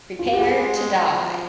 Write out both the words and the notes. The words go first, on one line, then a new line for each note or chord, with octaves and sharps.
Prepare to die.
F4
F#4
G4
G3 G#4
G#3
G#3
F#3
F3